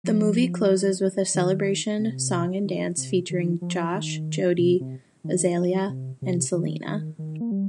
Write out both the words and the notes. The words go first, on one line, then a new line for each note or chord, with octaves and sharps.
The movie closes with a celebration song-and-dance featuring Josh, Jodie, Azalea and Selena.
F3
D#3
C3
D#3
C3
D#3
F3
D#3
C3
C3
D#3
F3
C3
C3
D#3
D#3
D#3
A#3
G3